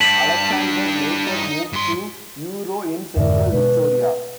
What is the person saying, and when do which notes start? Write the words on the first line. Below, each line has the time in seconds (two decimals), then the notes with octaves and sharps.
Alexander later moved to Euroa in central Victoria.
0.01 G2 G3 A5 B6 F#7
0.51 D4
1.27 D#4
1.73 G2 C6
3.16 F2 G#2 D3 A#4 D5 E5
3.52 B2 G#3 B4